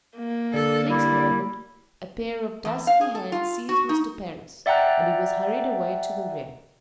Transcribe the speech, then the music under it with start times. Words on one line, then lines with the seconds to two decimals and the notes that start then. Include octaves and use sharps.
Next moment, a pair of dusky hands seized Mr. Parris, and he was hurried away to the rear.
0.17 A#3
0.54 D3 A4 D5
0.90 G3 E4
2.65 E2
2.87 F5
3.01 G#4
3.15 A4
3.32 F4
3.69 F#4
3.89 D#4
4.66 D5 E5 F#5 G5 A#5 F#6